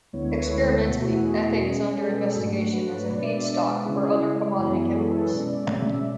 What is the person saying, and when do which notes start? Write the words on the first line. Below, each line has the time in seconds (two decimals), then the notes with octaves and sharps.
Experimentally, ethane is under investigation as a feedstock for other commodity chemicals.
0.13 D2 D3 G#3 B3 E4 C#5
0.32 B4
0.50 A4
0.87 E2 B2 A3 E4 F#4
1.06 G#4
1.62 B2 G#3 C#4
1.99 A4
2.12 B4
2.24 G#4
2.36 G#2 F#3 A3 D4 F#4
2.73 B4
2.92 C#5
3.10 B2 G#3 B3 D4 D5
3.23 E5
3.35 D5
3.67 B4
3.85 C#3 G#3 C#4 E4 G#4
4.59 F#2 E3 G#3 B3 E4
4.97 A4
5.09 B4
5.22 C#5
5.33 B2 G#3 C#4 D5
5.53 E5
5.71 D5
5.89 E5